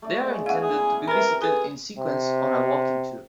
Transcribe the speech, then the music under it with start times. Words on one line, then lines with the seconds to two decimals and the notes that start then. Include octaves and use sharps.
They are intended to be visited in sequence on a walking tour.
0.02 A3 D5 C#6
0.27 G#3
0.46 B3 C#4 E4 F5 F#5
0.63 G#4
1.08 C3 A#4 B4 B5
1.42 G#4 A4 B4
1.99 C3